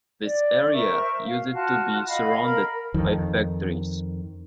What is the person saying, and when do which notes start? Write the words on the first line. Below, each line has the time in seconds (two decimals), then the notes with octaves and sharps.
This area used to be surrounded by factories.
0.23 D5
0.73 A#4 C5 E5 C#6
1.25 F5
1.53 F4 F#4 A5
2.07 D#5 F5 F#5 B5
2.42 A#4 B5
2.94 F2 D#3